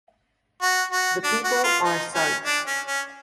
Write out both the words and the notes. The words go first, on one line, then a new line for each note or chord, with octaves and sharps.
The people are Sarts.
F#4
F#4
D4
F#4
F4
D#4
C#4
D4
C#4
C#4